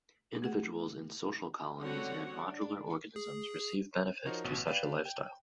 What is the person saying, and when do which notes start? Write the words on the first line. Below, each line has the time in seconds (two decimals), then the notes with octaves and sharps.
Individuals in social colonies and modular organisms receive benefit to such a lifestyle.
0.42 A3 G#4 F#5
1.79 D3 G3 C4 F#4 C#5 F#5
2.39 D4
3.16 G#4
4.25 F3 D#4 F#4 A#4 C5 C#5
4.44 A1 B2
4.67 B4 D5 F5 G5
5.05 G5